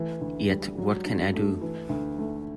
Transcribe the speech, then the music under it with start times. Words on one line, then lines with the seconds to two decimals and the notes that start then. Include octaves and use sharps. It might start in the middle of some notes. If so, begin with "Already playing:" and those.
Yet what can I do?
Already playing: E3 A3
0.21 D2
0.50 G3
0.78 F#3
1.05 G2
1.34 A3
1.61 E3
1.89 D2
2.19 A3